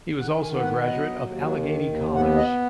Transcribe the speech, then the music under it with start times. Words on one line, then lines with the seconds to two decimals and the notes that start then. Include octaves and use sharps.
He was also a graduate of Allegheny College.
0.19 D#3 F#5
0.41 G#5
0.53 B3
0.63 F#5
0.84 F#3 D#5
1.17 D#2
1.49 D#3
1.83 D#2
2.14 B3 F#5
2.37 D#5